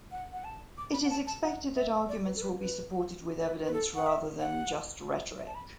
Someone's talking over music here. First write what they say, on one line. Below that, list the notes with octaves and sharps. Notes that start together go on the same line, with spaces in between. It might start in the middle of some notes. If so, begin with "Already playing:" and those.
It is expected that arguments will be supported with evidence, rather than just rhetoric.
F#5
F#5
A5
D6
B5
F#5
A5
A5
F#5
E5
D5
B4
A4
B4
B4
B4
B4
A4
F#5
E5
F#5
E5
A5
B5